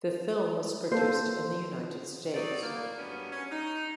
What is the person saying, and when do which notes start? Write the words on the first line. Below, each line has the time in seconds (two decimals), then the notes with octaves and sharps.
The film was produced in the United States.
0.92 A#3 A4 C5
2.34 F#3 C4 D#4 D5
2.61 A2 D#3 A#3
2.97 G2 F#3 G3 B3 C#4
3.31 C#4
3.51 D#4